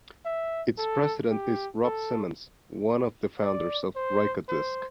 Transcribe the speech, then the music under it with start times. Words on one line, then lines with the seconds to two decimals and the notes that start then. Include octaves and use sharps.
Its president is Rob Simonds, one of the founders of Rykodisc.
0.25 E5
0.78 A4
1.31 G4
1.84 A4
3.43 D5
3.96 C5
4.49 C5